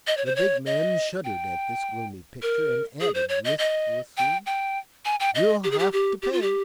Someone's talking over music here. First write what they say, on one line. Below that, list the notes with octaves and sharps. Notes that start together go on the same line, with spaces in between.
The big man shuddered at this gloomy picture, and added, listlessly: "You'll have to pay."
D#5
C#5
C5
C#5
D#5
G5
A#4
G#4
C5
C#5
D#5
D#5
G5
G5
G#5
G5
D#5
G4
G#4
G4
G4
G4
F4
G4